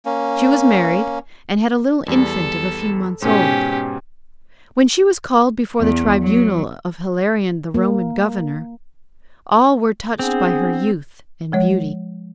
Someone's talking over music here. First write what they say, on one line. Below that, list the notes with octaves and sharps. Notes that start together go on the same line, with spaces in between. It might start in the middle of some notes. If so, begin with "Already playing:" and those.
She was married, and had a little infant of a few months' old. When she was called before the tribunal of Hilarion the Roman Governor, all were touched by her youth and beauty.
A#3 C#4
E2 G3 A4
G#2 B2 C#4 G4
E2
F#3
A#3
B3 C4 D4 G#4 F#5
F3 G#3 C#5